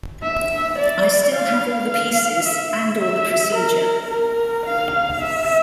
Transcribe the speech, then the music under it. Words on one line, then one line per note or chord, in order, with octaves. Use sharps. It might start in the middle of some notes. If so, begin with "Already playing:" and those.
I still have all the pieces, and all the procedure...
E5
D5
F5
F5
E5
E5
A#4
A#4
F5
E5